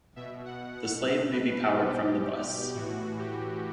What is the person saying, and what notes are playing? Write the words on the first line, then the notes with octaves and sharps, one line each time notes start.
The slave may be powered from the bus.
B2 E5
F#5
F#5
B2 E5
B4
G4
B2 G4
A2 E3 F#4
G4